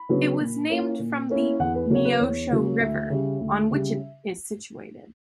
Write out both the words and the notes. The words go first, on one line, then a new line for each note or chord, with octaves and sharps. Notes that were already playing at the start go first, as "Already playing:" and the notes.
It was named from the Neosho River, on which it is situated.
Already playing: B5
C#3 F#3 B3 D4
A#2
A#3 C#4 E4
A#2
A#3 C#4 E4
E2 F#5
B4
C#3 F#3 A#3 C#5
B4
E2 C#5
C#3 F#3 A#3
D2 E5
C#3 G3
D2
C#3 G3